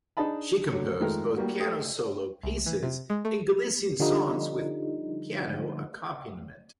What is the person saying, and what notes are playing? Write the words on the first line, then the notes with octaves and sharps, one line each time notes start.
She composed both piano solo pieces and Galician songs with piano accompaniment.
D4 D#4 G#4 D#5 A5 B5
D3 F#3
D#3 F3 G#3 A3 A#4
G3 A#3 F#4
A3 G4 D#6
C2
E3
C3
G#3
A3
D3 F3 G3 D#4